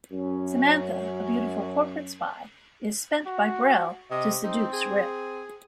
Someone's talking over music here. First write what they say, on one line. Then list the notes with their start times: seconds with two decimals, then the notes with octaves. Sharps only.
Samantha, a beautiful corporate spy, is sent by Brell to seduce Rip.
0.12 F#2 C#4
3.26 F#4
4.11 C3 D#5
4.44 C4 D#4
4.73 G#4